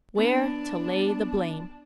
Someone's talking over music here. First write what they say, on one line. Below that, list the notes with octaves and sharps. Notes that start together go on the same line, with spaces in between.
Where to Lay the Blame.
B3 D4